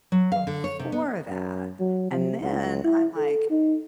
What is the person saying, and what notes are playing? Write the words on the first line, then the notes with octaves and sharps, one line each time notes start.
before that, and then I'm like,
F#3
F5
D3
C#5
C3
B3
F#2
F#3
C3
C#2
E4
A4
D#4